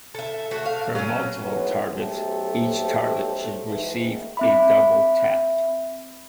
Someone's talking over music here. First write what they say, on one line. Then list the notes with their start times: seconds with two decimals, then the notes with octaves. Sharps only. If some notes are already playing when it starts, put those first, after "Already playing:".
For multiple targets, each target should receive a double tap.
0.15 A4 E5
0.51 A3 F#4
0.66 F5
0.95 F#3 C#4
1.42 A2 D#3 F#3 G#3 B3
1.93 B1 F#3 A3 G4 A4 C5
3.68 G#2 D#3 E3
4.37 C4 E5 B5